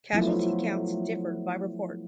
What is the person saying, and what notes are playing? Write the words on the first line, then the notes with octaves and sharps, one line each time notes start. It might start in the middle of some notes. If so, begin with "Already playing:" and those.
Casualty counts differed by report.
F3 F#3 A3 B3 E4 F4